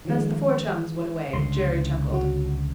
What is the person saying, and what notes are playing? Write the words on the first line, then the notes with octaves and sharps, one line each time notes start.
As the four chums went away, Jerry chuckled.
D#3 F3 G#3
C#2 D3 C6
F#3 F#4